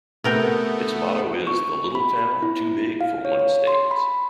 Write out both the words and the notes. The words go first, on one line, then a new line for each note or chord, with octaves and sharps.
Its motto is The Little Town Too Big for One State.
C3 A3 B3 A#4 G5
C#6
B5
E4
F5
C#5
C#5
C6
B5